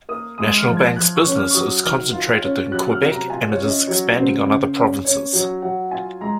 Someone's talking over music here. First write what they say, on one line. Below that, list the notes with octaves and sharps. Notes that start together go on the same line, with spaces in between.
National Bank's business is concentrated in Quebec, and it is expanding on other provinces.
A#3 D#6
G#3 D#6
F6
F3
G#6
F3 F#6
C#6
C#4
F6
C#6
F#3 D#6
D#3 F6
F4
C#4
F#3 F#6
F6
C3
A#5
F4 G#5
C#5
C#4
D#5
F#3 C#5
C#3 C5
C#3
C#4
C#4 C#5
F#3 C#5
F#3 F#5
F4 G#5
G#3 A#5